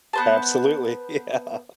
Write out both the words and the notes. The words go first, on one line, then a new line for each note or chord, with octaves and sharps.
Absolutely, yeah.
B3 C5 A5